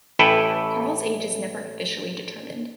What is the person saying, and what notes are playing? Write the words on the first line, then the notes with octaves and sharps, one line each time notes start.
Carl's age is never officially determined.
A1 E4 A4 B4 G5